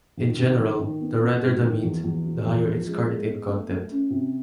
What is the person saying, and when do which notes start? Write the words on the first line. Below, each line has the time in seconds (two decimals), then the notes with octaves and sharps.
In general, the redder the meat, the higher its carnitine content.
0.17 D#3
0.38 D#3
0.59 D#3
0.79 D#3
1.01 B3
1.21 B3
1.41 G#2
1.63 D#3
1.83 E2
2.04 E2
2.24 F#3
2.45 E2
2.65 F3
2.87 G#3
3.07 G#3
3.27 B3
3.48 A3
3.68 A3
3.90 C#4
4.10 C3